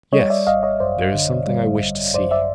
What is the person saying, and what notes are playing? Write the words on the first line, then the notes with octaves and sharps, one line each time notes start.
"Yes, there is something I wish to see."
G3 C#5 D#5
D5 E5
G#1 D#5 F5
C#5 D#5
F#2 C5 D5
D3
G3
G#1
F#2 C5 D5
D5 E5